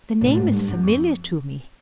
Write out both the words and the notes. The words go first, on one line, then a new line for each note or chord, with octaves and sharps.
The name is familiar to me.
A2
G#2
G2
F#2
F2